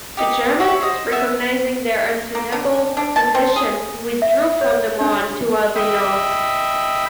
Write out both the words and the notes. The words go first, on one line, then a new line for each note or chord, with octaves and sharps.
The Germans, recognising their untenable position, withdrew from the Marne towards the north.
D#4 G4
C#5 E5 F#5
C5 D#5
A3 B3 E5
A#3
D3
D4
A5
C4
G#4
E5
C#5
D4
D#5 E5 G5 B5